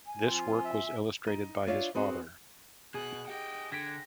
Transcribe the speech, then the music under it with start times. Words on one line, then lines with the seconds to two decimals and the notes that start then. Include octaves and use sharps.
This work was illustrated by his father.
0.06 G#5
0.27 F3 C4 F4
0.65 E5
1.27 D#4
1.67 D4 F4 C#5 E5 F5
1.95 B3 C4 F#4 G#4
2.94 B2 G#4 F#6
3.28 G4 D#5 F#5 G5
3.72 D3 G5 G#5 A#6 B6 D7